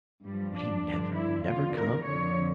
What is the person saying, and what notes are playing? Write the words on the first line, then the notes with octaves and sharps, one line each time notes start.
Would he never, never come?
G2 F3 G3
D4
G2 D3 F3
E4
E2 D3 F3 F4
A#4
F2 D3 F3 C#5